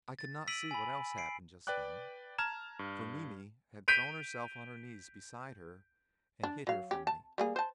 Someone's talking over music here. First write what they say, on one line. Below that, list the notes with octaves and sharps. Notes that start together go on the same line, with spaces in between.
I could not see what else happened just then, for Mimi had thrown herself on her knees beside her and hid her from me.
A6
E6 B6 D7 D#7 F#7
G#5 B5
C7 D7
B4 D5 G5 D6 F#6
A5 A#5 F6 G#6 E7
G2
G6 B6 D7 D#7 F7
D4
F#3 F5
C#4 G4
A5
G3 A#3 G#4
C5 A5